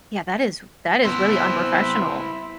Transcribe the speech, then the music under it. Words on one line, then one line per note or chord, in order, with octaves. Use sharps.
Yeah, that is that is really unprofessional.
B3 C4 E4 C5 E5